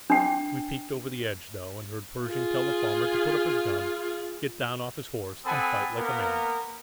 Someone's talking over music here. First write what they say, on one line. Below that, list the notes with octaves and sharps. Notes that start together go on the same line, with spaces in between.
We peeked over the edge, though, and heard Pershing tell the farmer to put up his gun, get down off his horse, and fight like a man.
D4 G5
F4 G#4
C4 A4 F#5 G#5 B5 D#6
A#3 B3 A#4